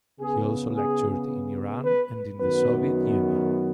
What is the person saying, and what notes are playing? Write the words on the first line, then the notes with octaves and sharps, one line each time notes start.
He also lectured in Iran and in the Soviet Union.
C#3 B3 G#4
G#4
B4
F#2 D#3 F#3 B3 B4